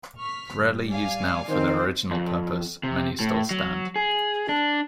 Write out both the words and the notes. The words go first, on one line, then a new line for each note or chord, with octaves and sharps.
Rarely used now for their original purpose many still stand.
C#6 F6 B6
G1 G3
D5 F5 G#5
D#3 C4 C5
F2
C3
A2
F#3
G#4
D4